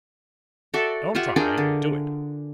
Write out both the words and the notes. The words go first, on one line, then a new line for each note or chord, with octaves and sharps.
"Don't try--do it."
F#4 A4 D5 E5
F4 G4 E5 F#5
D4 G#4 A#4 G5
D3